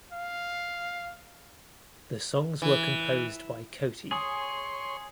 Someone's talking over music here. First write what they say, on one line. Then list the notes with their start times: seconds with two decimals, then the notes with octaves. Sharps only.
The songs were composed by Koti.
0.12 F5
2.62 E3
4.11 G#4 C#5 G#5 C6 D#6